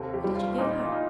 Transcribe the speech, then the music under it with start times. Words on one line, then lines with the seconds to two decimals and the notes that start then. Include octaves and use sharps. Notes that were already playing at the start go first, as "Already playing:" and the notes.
'What did you give her?'
Already playing: D#2 C3 A4
0.13 G4
0.24 G3
0.35 F4
0.58 A#2 D#4
0.85 F4
0.92 D#4